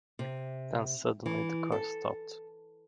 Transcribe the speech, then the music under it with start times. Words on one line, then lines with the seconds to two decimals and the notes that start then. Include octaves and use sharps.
Then suddenly the car stopped.
0.19 C3
1.26 E3
1.72 A4